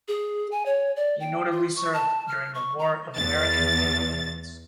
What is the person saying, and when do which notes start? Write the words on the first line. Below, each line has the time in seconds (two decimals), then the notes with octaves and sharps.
He notably served during the War of American Independence.
0.08 G#4
0.52 G#5
0.66 C#5
0.96 D5
1.20 G5
1.51 F4
1.76 C#6
1.94 A5
2.28 F6
2.55 C#6
2.79 A#5
3.16 E2 A6